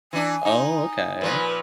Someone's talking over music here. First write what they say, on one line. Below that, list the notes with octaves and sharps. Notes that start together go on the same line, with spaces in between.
Oh, okay.
E3 D4 G#5
D#4
A#2 F3 B4